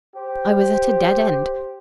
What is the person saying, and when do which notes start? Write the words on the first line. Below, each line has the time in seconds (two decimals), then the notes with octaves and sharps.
I was at a dead end.
0.16 G4 C5